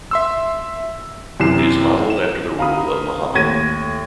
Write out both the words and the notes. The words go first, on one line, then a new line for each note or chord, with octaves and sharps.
It is modeled after the rule of Muhammad.
E5 C6 E6
F#2 C3 E3 G4 C7 E7
E7
F5 A#5 B5 D#6
D#2 A2 C#5 G#6 A#6 D#7